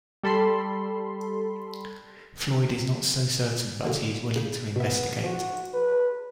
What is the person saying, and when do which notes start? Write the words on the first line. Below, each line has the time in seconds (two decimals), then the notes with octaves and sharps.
Floyd is not so certain, but he's willing to investigate.
0.23 G3 A4 B5 C6
3.85 B2 D3 A#3
4.36 C#3 G6
4.76 B2 B3 E5
5.24 F3 F#4
5.74 B4